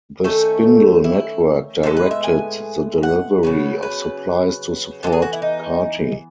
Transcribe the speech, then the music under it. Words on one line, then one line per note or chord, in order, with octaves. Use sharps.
The Spindle Network directed the delivery of supplies to support Carte.
D#3 A3 C#4 A4
E4
A2 G#3 B3 A4
B4
E5
G#5
F#5
C#3 F#3 B3
B4
E3 G#3 B3 A4
G#4
F#4
E4
D#4